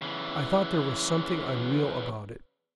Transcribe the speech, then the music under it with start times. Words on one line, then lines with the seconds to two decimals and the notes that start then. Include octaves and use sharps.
I thought there was something unreal about it.
0.02 C#3 E3